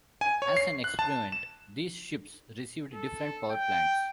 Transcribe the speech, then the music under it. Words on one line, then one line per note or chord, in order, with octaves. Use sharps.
As an experiment, these ships received different powerplants.
G#5
C#5
C7
F#6
A5
E7
A4
G5